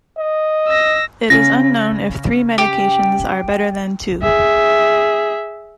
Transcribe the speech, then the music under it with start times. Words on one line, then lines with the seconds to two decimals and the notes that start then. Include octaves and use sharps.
It is unknown if three medications are better than two.
0.19 D#5
0.68 E6 A#6
1.30 C#3 C#4 A#6
2.58 G4
4.23 G#4 E5